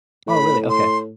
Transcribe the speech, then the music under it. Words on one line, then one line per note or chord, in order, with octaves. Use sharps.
Oh, really? Okay.
A2 B5
C6